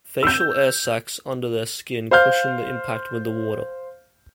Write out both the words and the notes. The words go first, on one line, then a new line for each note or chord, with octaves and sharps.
Facial air sacs under their skin cushion the impact with the water.
E6 G6
C5 F5 F6 G6